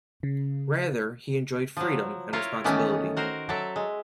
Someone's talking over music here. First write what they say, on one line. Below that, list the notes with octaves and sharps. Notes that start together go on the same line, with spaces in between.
Rather, he enjoyed freedom and responsibility.
C#3
F3 F#3
E4 F4 A#4 C#5
D#3 E3 A3 B3 C#4
F#4 A#4 C5
F#3 A4 E5
G#3